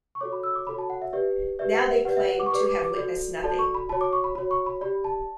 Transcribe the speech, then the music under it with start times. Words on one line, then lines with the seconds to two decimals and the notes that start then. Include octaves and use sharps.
Now they claim to have witnessed nothing.
0.15 C#6
0.21 F#4 A4 C#5 D6
0.33 B5
0.43 E6
0.55 D6
0.67 F#4 A4 C#5 B5
0.78 A5
0.90 F#5
1.02 E5
1.13 G4 B4 D5 E5
1.59 G4 B4 D5 E5
1.74 F#5
1.90 E5
2.05 G4 B4 D5 F#5
2.17 E5
2.29 F#5
2.40 D6
2.46 C#6
2.51 G4 B4 D5 D6
2.66 D6
2.82 D6
2.97 F#4 A4 D5
3.43 F#4 A4 D5 A5
3.59 C#6
3.75 B5
3.89 F#4 C#5 A5
4.01 D6
4.13 C#6
4.24 B5
4.35 F#4 B5
4.38 C#5
4.51 C#6
4.66 B5
4.81 G4 D5 B5
5.04 A5